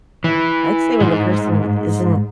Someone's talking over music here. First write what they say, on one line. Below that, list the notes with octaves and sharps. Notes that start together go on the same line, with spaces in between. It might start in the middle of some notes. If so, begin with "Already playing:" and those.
I'd say when the person isn't
E3
G#2